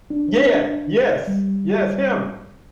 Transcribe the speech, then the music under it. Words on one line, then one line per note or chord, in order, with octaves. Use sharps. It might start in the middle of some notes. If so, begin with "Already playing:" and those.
Yeah, yeah. Yes. Yes, him.
D4
G3